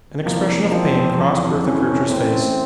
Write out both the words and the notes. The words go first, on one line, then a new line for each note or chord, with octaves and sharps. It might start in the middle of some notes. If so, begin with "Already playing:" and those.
An expression of pain crossed Bertha Kircher's face.
E2 C3 F3 A#3
E2 C3 F3 C4
F2 C3 E3
F2 C3 E3 C#4
C#3 E3 A3 C4